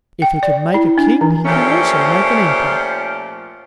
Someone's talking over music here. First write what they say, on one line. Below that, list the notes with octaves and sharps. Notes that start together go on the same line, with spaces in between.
If he can make a king, he can also make an emperor.
G5
D5
E4
D4
E3
A#2 F3 A3 C#4 G4 C5